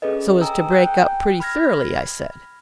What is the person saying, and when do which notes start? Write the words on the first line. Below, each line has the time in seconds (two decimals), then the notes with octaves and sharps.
"So as to break up pretty thoroughly?" I said.
0.02 C#4 G#4 A4 B4 D#5
0.41 G5 G#5 A#5 D#6 E6
0.71 G5 F#6 G6
1.40 B5 F6 G#6 A#6